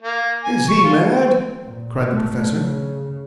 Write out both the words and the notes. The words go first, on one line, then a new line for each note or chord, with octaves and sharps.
"Is he mad?" cried the Professor.
A#3
G#5
C#6
F4
A#2
A3
C#3